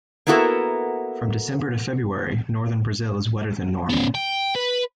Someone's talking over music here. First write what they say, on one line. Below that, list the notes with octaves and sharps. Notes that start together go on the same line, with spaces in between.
From December to February, northern Brazil is wetter than normal.
A#3 B3 E4 F#4 A4 A#4
B3 C#4
G5
B4